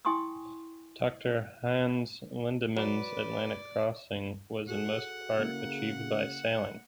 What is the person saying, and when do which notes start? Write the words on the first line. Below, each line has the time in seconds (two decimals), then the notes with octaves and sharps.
Doctor Hannes Lindemann's Atlantic crossing was in most part achieved by sailing.
0.05 E4 G5 G#5 C6 C#6 D#6
2.77 F#3 B4 D5
4.68 F#4 G#4 A4 F#5
5.38 C#3 A#3 E4